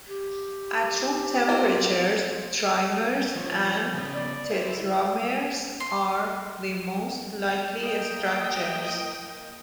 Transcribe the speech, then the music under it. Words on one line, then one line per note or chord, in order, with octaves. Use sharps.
At room temperature trimers and tetramers are the most likely structures.
G4
A#3 C4 F4
F3 C#5
C#3 B3
D5
E4 C5
C6
A#3 D#5 G5